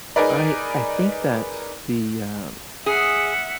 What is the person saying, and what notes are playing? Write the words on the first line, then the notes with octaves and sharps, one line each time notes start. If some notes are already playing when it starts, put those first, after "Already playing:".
I I think that the, um
D#4 G#4 A#4 B4 D5
G#4 E5 F#5